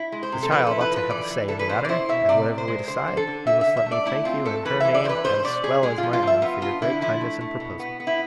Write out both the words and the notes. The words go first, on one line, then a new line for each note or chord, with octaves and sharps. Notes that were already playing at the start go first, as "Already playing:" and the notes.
"The child ought to have a say in the matter; and whatever we decide, you must let me thank you in her name as well as my own for your great kindness in proposing it."
Already playing: E4
G#3
C5
C3
A4
F3 B4
E4 A4
B4
F3
B4
E3 D5
E3
E3 A4
B4
B2 C5
D5
E4 C5
B2 E5
C3 D5
C3
C5
G#3
D3 C5
D3
A4
D3
D3 E5
E5
D3
E5
A3
D5
A3 E4
C4 F4
A3 A4
E3 B4
E3 E5
D5
E3 C5
B4
A3 C5
B2 D5
B2 G#4
G#3 G#4
F4
F3
F4
F3
E5
B3 F4
D4 F4
D3 E4
F3 E4
A3
A3
B2
B3
B3
E4